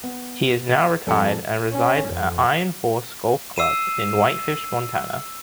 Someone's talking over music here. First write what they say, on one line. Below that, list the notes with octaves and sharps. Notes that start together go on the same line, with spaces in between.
He is now retired and resides at Iron Horse Golf Club in Whitefish, Montana.
B3
F2 G3 A4 G#5 A5 C#7
C#4
F2
E6 C7 D#7 E7